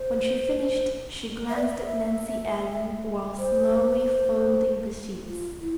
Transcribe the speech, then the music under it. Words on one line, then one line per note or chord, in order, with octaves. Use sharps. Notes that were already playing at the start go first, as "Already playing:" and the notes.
When she finished, she glanced at Nancy Ellen while slowly folding the sheets.
Already playing: C5
E5
D5
E5
C5
F4
E4